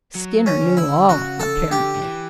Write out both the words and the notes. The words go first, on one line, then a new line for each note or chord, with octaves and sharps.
Skinner knew all, apparently.
F#3
C#4
D3
E4
C#3 F#4
A4
D3
G4
D3
E3